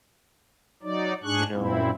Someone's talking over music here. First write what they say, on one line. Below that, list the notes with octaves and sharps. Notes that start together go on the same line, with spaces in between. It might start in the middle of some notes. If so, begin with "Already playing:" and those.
you know,
F#3 D#4 D5
G#2 D4 G#4 C#6 F#6
F#2 A#2 C4 E4